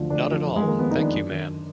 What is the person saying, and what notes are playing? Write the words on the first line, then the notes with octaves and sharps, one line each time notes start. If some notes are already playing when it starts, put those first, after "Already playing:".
Not at all, thank you, ma'am.
Already playing: D2 D3 F3
D2 D4
D3 F3
F2
G#3
D#3
A#3
F2 B3
D#4
D#3
D4
F#2
D#3